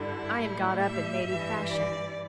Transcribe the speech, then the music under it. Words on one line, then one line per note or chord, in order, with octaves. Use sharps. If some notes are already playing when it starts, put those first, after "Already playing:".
I am got up in native fashion.
Already playing: G2 D3 G3 E4
A2 G3
E5
G2 E3 G3
D5